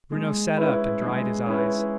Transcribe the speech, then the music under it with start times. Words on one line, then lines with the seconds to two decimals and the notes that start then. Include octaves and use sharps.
Bruno sat up and dried his eyes.
0.12 G#3
0.57 C#4 E4 B4
1.02 G#3
1.46 C#4 E4 B4